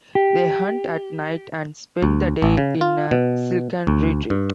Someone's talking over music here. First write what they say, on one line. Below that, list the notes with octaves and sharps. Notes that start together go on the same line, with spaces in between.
They hunt at night and spend the day in a silken retreat.
G4
D2
A1
C#3
F4
B2
D2
G2